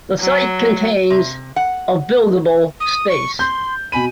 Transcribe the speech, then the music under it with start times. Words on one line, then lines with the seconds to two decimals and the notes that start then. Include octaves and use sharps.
The site contains of buildable space.
0.20 F#3
1.10 C3
1.56 F#5
2.80 D#6
3.09 C#6
3.39 C6 G6
3.92 B2 G#5 B5 D#7